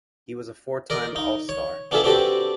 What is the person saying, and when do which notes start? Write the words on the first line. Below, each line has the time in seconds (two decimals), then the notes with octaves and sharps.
He was a four-time All-Star.
0.90 A#4 D5 D#5
1.16 D#4
1.49 C#5
1.91 B3 D4 F4 G#4 A4 E5
2.04 C4 D4 F#4 G4 A4 B4